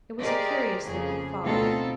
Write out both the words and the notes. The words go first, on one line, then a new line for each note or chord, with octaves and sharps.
It was a curious thing that followed.
G4 G#4 A#4 C5 D5 D#5
F2 C#3 F3 A#3 G#4
D2 B2 C4 D#4 F4 A4